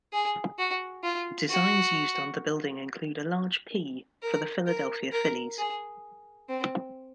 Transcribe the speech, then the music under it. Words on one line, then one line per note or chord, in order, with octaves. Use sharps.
Designs used on the building include a large "P" for the Philadelphia Phillies.
G#4
F#4
F4
F#4
A#4
A#4
A#4
G#4
C4